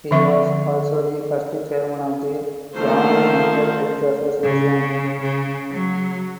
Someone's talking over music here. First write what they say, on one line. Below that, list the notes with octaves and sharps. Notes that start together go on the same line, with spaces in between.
He was also the first Chairman of the Ghana Mental Health Association.
D3 F3 C4 E5 C#6
D#3 F3 A3 A#3 C5
C#3
C#3
F#3